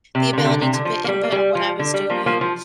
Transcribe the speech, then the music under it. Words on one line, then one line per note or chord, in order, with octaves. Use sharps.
the ability to put input on what I was doing.
C3
C3
D3
C3
D3
C3
D3
F3
A#3
G3
A#3
G3
F3
D3
G3
F3 A#3
F3 A#3
F3